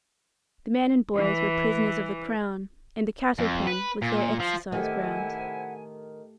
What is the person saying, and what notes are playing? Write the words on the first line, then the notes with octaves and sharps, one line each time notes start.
The men and boys were prisoners of the Crown, and the cattle-pen was their exercise ground.
E3
F2
B4
A#2
F3
C3 D#3 A3 E4 G4 F#5 G#5